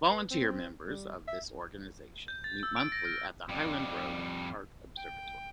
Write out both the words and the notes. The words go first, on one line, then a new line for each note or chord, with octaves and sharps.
Volunteer members of this organization meet monthly at the Highland Road Park Observatory.
B4
C4
G3
E5
G6
A6
E6
D7
A#6
F6
F2 G3
G5